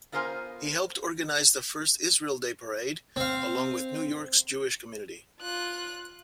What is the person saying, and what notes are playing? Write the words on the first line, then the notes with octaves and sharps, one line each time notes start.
He helped organize the first Israel Day Parade, along with New York's Jewish community.
B3 F4 A#4 C5 G5 G#5
C4 F5
F4 F#6